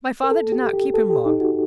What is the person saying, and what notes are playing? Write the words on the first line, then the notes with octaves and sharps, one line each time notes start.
My father did not keep him long.
A#4
A4
G4
G4
A4
G4
D#4
F#4